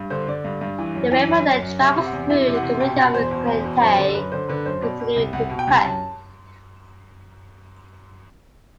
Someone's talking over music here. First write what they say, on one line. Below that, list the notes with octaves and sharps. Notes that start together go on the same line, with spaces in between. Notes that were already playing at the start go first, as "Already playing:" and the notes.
The river then travels through the community of Glen Tay, continuing to Perth.
Already playing: G2
D3 C5
D3 D5
G2
G2
E3
F#2
E3
F#2
F#2
F#2
C3 E5
C3
F#5
E2
E3 E5
C3
F#5
C3
B2 G5
B2 F#5
E2 C5
B2
E2
B2
F#2 C5
D3
F#2 B4
D3 C5
D3 B4
F#2 C5
B2 D5
B2
C2
C2 F#5
B2
G5
C2
F#2 A5